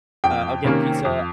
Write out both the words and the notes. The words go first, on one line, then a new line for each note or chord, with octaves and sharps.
uh, I'll get pizza,
F2 G5
C3 D#3 A#3 C#4
F2